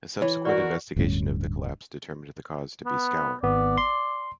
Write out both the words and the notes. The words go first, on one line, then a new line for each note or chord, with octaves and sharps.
A subsequent investigation of the collapse determined the cause to be scour.
E3 C#5
F#4 A#4 D5 F#5
D1 D2 G2 C#4
B3
G#1 B3 D5
C6